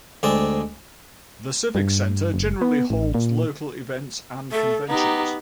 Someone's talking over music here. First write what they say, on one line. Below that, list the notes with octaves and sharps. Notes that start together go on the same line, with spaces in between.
The Civic Center generally holds local events and conventions.
D2 G#3 C4 D5
G2
F#1
B3
A1
A#2
A3 A4
B3 D#4 G4 A#5